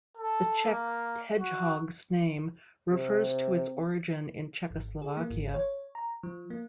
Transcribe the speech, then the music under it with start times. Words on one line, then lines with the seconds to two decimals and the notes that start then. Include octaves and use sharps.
The Czech hedgehog's name refers to its origin in Czechoslovakia.
0.17 A4
0.65 A#3
1.38 F#4
2.91 C3
4.70 G#1
5.02 G#4
5.17 A#3
5.30 G#1
5.54 C#5
5.95 A#5
6.23 F3
6.50 A#3